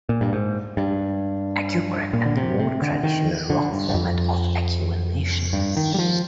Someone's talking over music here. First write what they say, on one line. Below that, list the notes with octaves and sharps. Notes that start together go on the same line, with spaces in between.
Acucrack, and the more traditional rock format of Acumen Nation.
A#2
G2
G#2
G2
A#2
D3
C3
C3
D3
D#3
D3
G2
G2
F2
G2
D#3
G3
F3